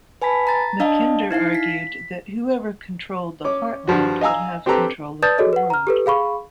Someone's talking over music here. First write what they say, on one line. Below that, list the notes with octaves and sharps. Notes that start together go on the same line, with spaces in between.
Mackinder argued that whoever controlled the Heartland would have control of the world.
B4 G#5 A5 B5 B6
A#5 A6
D4 D#5 F5 A5
D#4 E4 F5 C7
B6
C#4 D6
G2 F3 F#4
D#5 F5 G#5 A#5 E6
C4 G4 A4 B4 A#5 D6
B4 D5 A5 D#6 G6 A6
F#4 G#4 A4 C#5 D#5
B4 F#5
A#5 F6
G4 A4 B4
G#4 F5 B5 C#6